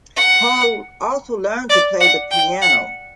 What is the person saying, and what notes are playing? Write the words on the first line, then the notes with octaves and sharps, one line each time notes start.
Hole also learned to play the piano.
F#5
D5
F#5
G5
F#5